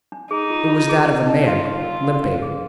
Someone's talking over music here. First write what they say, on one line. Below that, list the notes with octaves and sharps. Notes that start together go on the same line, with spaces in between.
It was that of a man, limping.
D4
D#4 G#4
F4
F4
G#4
D#5
D#4
F4 F5
C6
F4
A#4
F5
F5
G#4